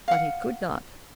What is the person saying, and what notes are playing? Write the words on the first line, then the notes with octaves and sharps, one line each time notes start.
But he could not.
F5 F#5